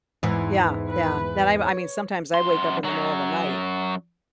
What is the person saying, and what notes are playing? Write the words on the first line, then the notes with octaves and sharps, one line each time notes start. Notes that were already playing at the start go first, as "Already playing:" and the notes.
Yeah, yeah, that I m I mean, sometimes I wake up in the middle of the night.
E2 G#2 E3
B4
C#5
F#2 C6
F#2 F#3